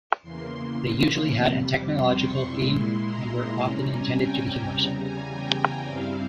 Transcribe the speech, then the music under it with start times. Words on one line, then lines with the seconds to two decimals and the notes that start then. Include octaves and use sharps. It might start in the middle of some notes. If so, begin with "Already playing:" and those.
They usually had a technological theme and were often intended to be humorous.
0.23 E2 C#3 E3 A#3 C6
1.35 F2 C3 G3
1.92 C6
2.20 C#6
2.48 A#2 G#3 E4 C6
3.05 A#5
3.62 C3 G3 C#4 A#5
3.90 G#5
4.18 G5
4.46 G#5
4.74 E2 C#3 G3 A#5
5.02 G#5
5.31 G5
5.87 G2 G3 C4 E4 F5